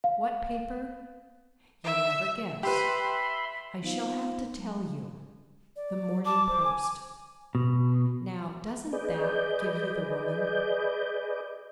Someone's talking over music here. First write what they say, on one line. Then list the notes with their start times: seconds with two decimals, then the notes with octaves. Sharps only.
What paper? You'll never guess; I shall have to tell you--The Morning Post. Now doesn't that give you the woman?
0.04 F5
1.84 E5
2.63 G4 B4 E5 B5 C6
3.82 B3 D#4 F4 C5 F5
4.54 F#3 G#3
5.76 D5
6.25 A5 D6
6.48 C5
6.64 G#5
7.55 B2
8.93 G#4 B4 D5 D#5 G6